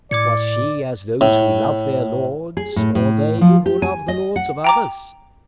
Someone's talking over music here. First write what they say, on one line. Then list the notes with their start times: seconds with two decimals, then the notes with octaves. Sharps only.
Was she as those who love their lords, or they Who love the lords of others?
0.11 A2 D5 D6 G#6 C#7
1.21 A2
2.57 G#4
2.76 A2
2.95 A2
3.41 F3
3.66 G4
3.82 G#5
4.08 D#5
4.36 F#5
4.64 G5 A#5 D6